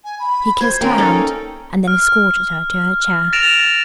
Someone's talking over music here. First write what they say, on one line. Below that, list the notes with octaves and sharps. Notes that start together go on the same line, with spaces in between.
He kissed her hand, and then escorted her to her chair.
G#5
B5
C5 G#6
A#3 C#4 A#4 G5
C#4 D#4 A4
F6
A6 A#6 D7 E7 F7